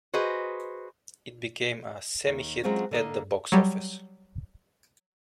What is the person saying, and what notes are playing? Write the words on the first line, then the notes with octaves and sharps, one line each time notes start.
It became a "semi-hit" at the box office.
F#4 G#4 B4 C5 D#5
D#2
F#3 G#3 C4 C#4 F4 F#4
D3 A#3 D#5
F#3 G3